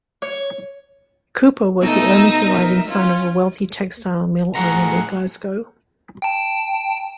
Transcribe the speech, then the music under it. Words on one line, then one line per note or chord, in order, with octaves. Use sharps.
Couper was the only surviving son of a wealthy textile mill owner near Glasgow.
C#5
B2 A3 D#4 E6
A#4 E5
C#4 F4
A2 F3 F#4 G#4 F#5 A#5
G5 A5